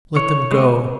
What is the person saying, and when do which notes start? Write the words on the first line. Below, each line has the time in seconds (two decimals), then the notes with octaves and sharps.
Let them go!
0.16 E3 C#5
0.52 G#3
0.57 B3